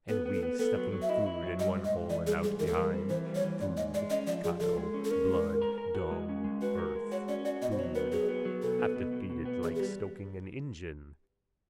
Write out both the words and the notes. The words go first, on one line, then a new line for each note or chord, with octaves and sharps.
And we stuffing food in one hole and out behind: food, chyle, blood, dung, earth, food: have to feed it like stoking an engine.
B3 A4
B3
A4
B3
B3 A4
F#3
F#3
E5
E4 D#5
E4
F#3
G3 D#5
G#2
D#5
G#2
E3 D5
G3 G#4
G#2 G#4
E3 A#4
A4
G3 A#4
C4
E3 C5
G3
C#5
E3
G#2 D5
G#2 D#5
G#3 D5
C#4 D#5
F3 D5
F3 G#4
F3 A4
G#3
C#4
A4
C#4 A#4
G#3
G#2
A#4
A#4
F#4
G#3
C#4
G#3
F#4 B4
A#4
G#3
F#4 C#5
C#4 D5
F#4 D5
B2 D#5
C5
F#3 C#5
B3 A#4
F#3 G#4
B3
F#3
B2 A4
B3
B2
B2
B2
B3
E2 G#4
G#4
G3 G4